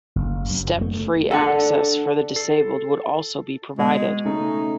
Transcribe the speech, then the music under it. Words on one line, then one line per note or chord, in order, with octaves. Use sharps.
Step-free access for the disabled would also be provided.
F#1
F#2
A3
D4 A4 F#5
A4 C7
B2 G#3
C#3 A3 C#4 D#4